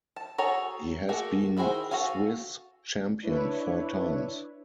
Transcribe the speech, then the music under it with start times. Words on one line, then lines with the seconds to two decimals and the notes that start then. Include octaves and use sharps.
He has been Swiss champion four times.
0.16 A5
0.38 F#4 G#4 A4 C#5 A#5
1.09 A3 A#3 F#4 G#4 A4
1.57 D#3 E4 F#4 G#4 C5
1.91 F#4 A4 F5 G#5
3.22 D4 E4 B4 C#5